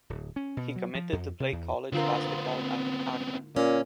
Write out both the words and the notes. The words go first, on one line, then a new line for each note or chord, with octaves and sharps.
He committed to play college basketball at Akron.
D1
C#4
B2
F#3
F3
F2
C3
E2
D3 B3 C4 F4 A#4
A#2 C#4